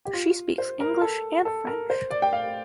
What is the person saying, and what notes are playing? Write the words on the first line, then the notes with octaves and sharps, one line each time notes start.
She speaks English and French.
G4
F4
C5
A#4
A4
A4
A#4
C5
D5
G5
F5